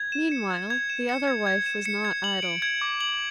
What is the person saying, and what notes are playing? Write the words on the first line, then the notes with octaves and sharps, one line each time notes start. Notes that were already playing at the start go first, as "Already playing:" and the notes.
Meanwhile the other wife was not idle.
Already playing: G#6
E7
C#7
G#6
G#6
E7
C#7
G#6
G#6
E7
C#7
G#6
F#7
D7
G#6
D6
F#7